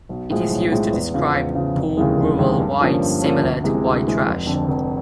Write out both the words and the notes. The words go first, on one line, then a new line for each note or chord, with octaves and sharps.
It is used to describe poor rural whites similar to white trash.
B1
A2 F3 G#3
B1
A2 F3 G#3
E2
C#3 F3
E2
C#3 F3
F1
D#2 C#3 E3 G#3
F1
D#2 C#3 E3 G#3
G2
D3 F3 A#3 C#4
G2
D3 F3 A#3 C#4
D2
C3 E3 G#3
D2
C3 E3 G#3
F1
F2 D3
F1